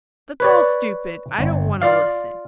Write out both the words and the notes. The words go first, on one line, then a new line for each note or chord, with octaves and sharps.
That's all stupid, I don't want to listen.
B4 C#5 D5
G1
F4 D5 F5